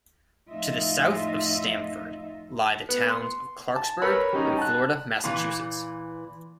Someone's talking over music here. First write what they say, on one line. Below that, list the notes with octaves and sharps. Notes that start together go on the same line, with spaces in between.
To the south of Stamford lie the towns of Clarksburg and Florida, Massachusetts.
F2 A2 D#4 F4 D#5 E5
B3
C6
A5
A#4 B4 C#5 B5 E6
G3 C#4 D#4
A5 F#6
A#2 E3